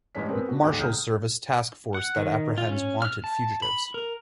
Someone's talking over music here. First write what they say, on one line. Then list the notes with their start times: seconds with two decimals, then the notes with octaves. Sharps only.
Marshals Service task force that apprehends wanted fugitives.
0.15 A1 G2 G#3 C#4 B6
0.29 B3 C4 G#4 A#4 B4
0.48 D4 F#4
0.63 D#1 G#2 G#3 G5 D6 F#6
0.79 C#2 A#5 D#6 F6 G6
1.94 F#5
2.16 D#3
2.58 F4
2.69 C#4
3.02 F6
3.24 A5
3.62 B5
3.94 A#4